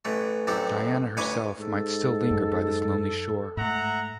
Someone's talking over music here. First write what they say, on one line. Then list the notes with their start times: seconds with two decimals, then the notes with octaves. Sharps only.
Diana herself might still linger by this lonely shore.
0.05 A1 E3 A3
0.47 A1 F#2 C4 G4 A4
1.17 A1 D2 C#5 G#5 B5 D6
1.59 G#2 A4
2.31 F#2
3.57 G#2 A3 E5 F#5 A#5